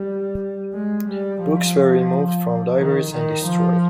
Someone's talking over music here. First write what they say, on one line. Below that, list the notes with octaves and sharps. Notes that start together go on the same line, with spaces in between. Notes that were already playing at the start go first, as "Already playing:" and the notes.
Books were removed from libraries and destroyed.
Already playing: G3
G#3
G3
F3
D#3
D#3
F3